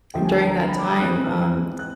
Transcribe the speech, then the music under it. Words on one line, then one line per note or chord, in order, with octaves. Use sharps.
during that time, um,
D#2 D3 F3 A3 G5
G#5
A5
A#5
A#5
B5
D6
D#6
G#2 E3 G#3 C4 F#6
F#6